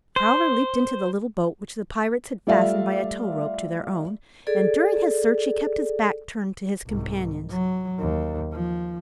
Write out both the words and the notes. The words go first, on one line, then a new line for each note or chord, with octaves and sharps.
Prowler leaped into the little boat which the pirates had fastened by a tow-rope to their own, and during his search he kept his back turned to his companions.
C5
G3 A3 F4 D5 E5 F5
G#4 A4 D5
C2 G#2
F#3
D#2
F3